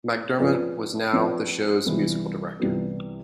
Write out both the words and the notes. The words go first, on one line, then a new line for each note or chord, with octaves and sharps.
MacDermot was now the show's musical director.
F3 C4 F4 B4 D5
F3 C4 F4 B4 D5
C2 C3 E3 G3 B3
C2 C3 E3 G3 B3